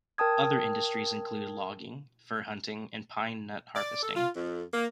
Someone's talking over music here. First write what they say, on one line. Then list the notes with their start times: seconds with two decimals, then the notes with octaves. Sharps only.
Other industries include logging, fur hunting and pine nut harvesting.
0.18 A#4 G5 A5 D#6 G#6
3.75 D5
4.02 A4
4.15 F4
4.34 F2
4.73 A#3